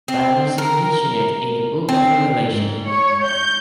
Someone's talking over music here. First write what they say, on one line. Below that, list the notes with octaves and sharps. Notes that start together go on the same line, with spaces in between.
Patmos is mentioned in the Book of Revelation.
C4
A#4
C4
G#2
C#5
G6